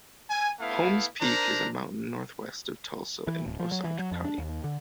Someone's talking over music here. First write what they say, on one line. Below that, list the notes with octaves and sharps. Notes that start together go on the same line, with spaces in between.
Holmes Peak is a mountain northwest of Tulsa in Osage County.
G#5
A3 B3 E4 F5
D4 A#4 C5 A#5
E3
D1
F3
F#3
E3
F#3
F2
D4
D#2
D3